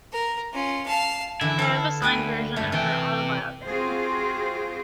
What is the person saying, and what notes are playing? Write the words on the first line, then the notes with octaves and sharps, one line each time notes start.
I have a signed version of her autobiography.
A#4
C#4 F4
F5 A5
D3 E3 E4
A4 F5
D2 B4 G5 G#5
C#2 G2 A3
C3 E3 G5
C4 F4 F#4 G#4 C5